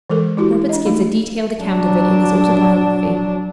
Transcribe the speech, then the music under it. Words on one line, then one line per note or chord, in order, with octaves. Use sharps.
Roberts gives a detailed account of it in his autobiography.
E3 G#3 A4 A#4
G#3 E4 F#4 G4
D4 D#5
A3 D#4
F#3 D4